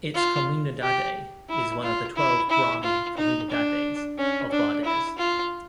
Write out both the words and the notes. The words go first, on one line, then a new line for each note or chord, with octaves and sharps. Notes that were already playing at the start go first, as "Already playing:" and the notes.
Its comunidade is one of the twelve Brahmin comunidades of Bardez.
F4
G4
E4
F4
E4
E4
F4
D#4
D4
C#4
D4
E4
F4